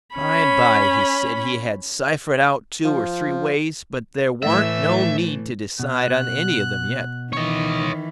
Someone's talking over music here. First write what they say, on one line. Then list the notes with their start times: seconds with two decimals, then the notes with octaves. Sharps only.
By and by he said he had ciphered out two or three ways, but there warn't no need to decide on any of them yet.
0.16 C#4 B5
2.85 F3
4.43 A2 E3 A3 E5
5.80 B2 F#6
7.33 D#3 E3 C#5 D#5